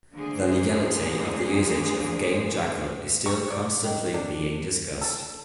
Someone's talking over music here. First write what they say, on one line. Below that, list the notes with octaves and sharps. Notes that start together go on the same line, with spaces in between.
The legality of the usage of Game Jackal is still constantly being discussed.
D3 A3 A#3 D4 G#4 C5
C#6
D5
D#3
D4
A4